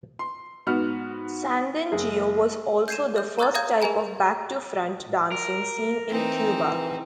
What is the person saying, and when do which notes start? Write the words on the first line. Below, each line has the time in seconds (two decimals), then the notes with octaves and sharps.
Sandungueo was also the first type of back-to-front dancing seen in Cuba.
0.19 C6
0.66 G#2 B3 F#4 F6
1.92 F#1 G#4
2.88 G6 G#6 C7 D#7 E7
3.16 E5 G6
3.39 A#5 C#6 E6 F#6 G#6 A6
3.54 E5 F5 A#5 D#6 G6 G#6
3.81 G#4 A#4 D#5 G#5 A#5 B5
5.32 A#4
6.09 E3 C4 D#4